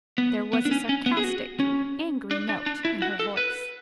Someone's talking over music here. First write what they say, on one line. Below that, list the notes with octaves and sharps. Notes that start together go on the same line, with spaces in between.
There was a sarcastic, angry note in her voice.
B3
B3
D4
C#4
C#4
B3
G#4
F#4
C#4
D4
D4
D4
E4
F#4
A4
B4